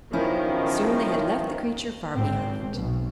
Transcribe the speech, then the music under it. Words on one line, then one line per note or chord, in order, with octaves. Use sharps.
Soon they had left the creature far behind.
B1 D#3 F3 C#4 D#4 E4
G#1 C4
B1 B2